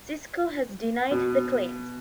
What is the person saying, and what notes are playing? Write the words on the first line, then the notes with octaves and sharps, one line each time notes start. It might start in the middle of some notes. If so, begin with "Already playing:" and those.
Cisco has denied the claims.
B2